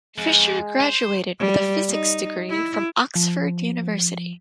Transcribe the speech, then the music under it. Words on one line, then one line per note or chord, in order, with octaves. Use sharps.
Fischer graduated with a physics degree from Oxford University.
F2 G#3
C5
G3
D#4
E4
F3